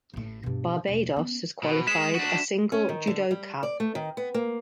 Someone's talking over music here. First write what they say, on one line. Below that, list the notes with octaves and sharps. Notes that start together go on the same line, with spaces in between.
Barbados has qualified a single judoka.
A1 A2
G2 B2
E1
B3 C#4
B2
G#3 B6 E7
D4 F#4
C#4
D#3
D3
G3
D5
A3
D#3
B3
A#3